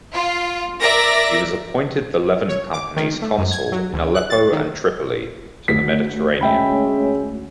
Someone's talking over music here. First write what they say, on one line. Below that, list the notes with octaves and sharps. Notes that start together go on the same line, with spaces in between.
He was appointed the Levant Company's Consul in Aleppo and Tripoli, to the Mediterranean.
F4
A#4 D5 E5 A#6
C#5
D6
D#3
A3
F#2
G#6
F#3
D2
F#6
A6
D#3
D2 B6
G#3 C#4 E5 G5 B5